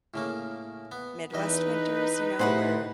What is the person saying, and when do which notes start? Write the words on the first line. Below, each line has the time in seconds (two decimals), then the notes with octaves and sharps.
Midwest winters, you know, where
0.14 A2 C#3 A#3
0.92 B3
1.34 E2 E3 D#4 B4 D#5
2.39 A2 C3 G#4 C5 F#5 B5